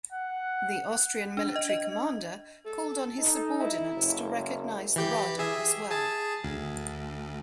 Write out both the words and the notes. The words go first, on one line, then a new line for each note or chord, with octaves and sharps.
The Austrian military commander called on his subordinates to recognize the Rada as well.
F#5
D4
D#5
D#5
A4
D#4
E4
F#1
E3 G4 G6
G#4 E5
G#4 A5
D2